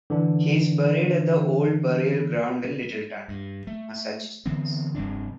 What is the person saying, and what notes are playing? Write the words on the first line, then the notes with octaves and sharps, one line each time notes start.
He is buried at the Old Burial Ground in Littleton, Massachusetts.
D3 E3 D4
G2
A3
D3 E3 B3 C4
F1 G2 C4 D4